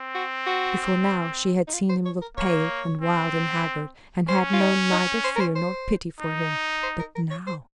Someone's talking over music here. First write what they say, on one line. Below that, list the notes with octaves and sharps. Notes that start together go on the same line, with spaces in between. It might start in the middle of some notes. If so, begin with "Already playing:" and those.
Before now she had seen him look pale and wild and haggard, and had known neither fear nor pity for him. But now!
Already playing: C4
F#4
F#4
D#4
F4
C5
C#5
A#4
A#3 C#5
C4
C#4 C5
F4
D#4
D#4
C5
A#4
C5
C5
D#4
C5
A#4
A#4
C#5
C5